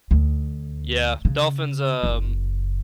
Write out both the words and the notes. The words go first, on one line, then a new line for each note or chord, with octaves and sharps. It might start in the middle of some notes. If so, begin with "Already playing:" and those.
Yeah, dolphins, um
D2
C#3
F#1